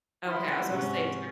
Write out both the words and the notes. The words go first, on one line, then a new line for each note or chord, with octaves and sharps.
Okay, I was about to say, 'cause they're
E4 F#5 C6
G#2 C3 C4 C#4